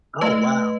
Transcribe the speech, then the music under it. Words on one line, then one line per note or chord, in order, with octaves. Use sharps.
Oh, wow.
A3 B4 D#5